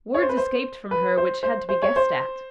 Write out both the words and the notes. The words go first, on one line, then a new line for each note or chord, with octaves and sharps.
Words escaped from her which had to be guessed at.
C#5
C5
B4
C5
B4
C5
C5
C5
C#5
C5